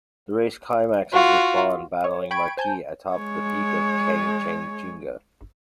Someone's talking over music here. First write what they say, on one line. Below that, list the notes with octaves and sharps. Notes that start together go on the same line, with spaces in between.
The race climaxes with Bond battling Marquis atop the peak of Kangchenjunga.
F4 F#4
C#5
G5 B5 C#6 G#6 D7
C5 G#5 A5 G6
G#3 C#5